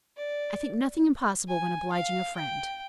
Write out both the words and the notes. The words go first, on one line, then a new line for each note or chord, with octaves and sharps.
"I think nothing impossible when obliging a friend."
D5
G#5
F5
G5